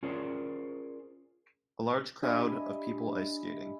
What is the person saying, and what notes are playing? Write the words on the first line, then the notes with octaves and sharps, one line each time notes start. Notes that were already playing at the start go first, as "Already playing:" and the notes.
A large crowd of people ice skating.
C#4 F4 G#4 A#4 C5 D5
D4 G4 D#5 E5 G#5 B5